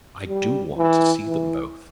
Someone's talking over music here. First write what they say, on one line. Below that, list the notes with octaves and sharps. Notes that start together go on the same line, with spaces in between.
"I do want to see them both."
G3
E3
E3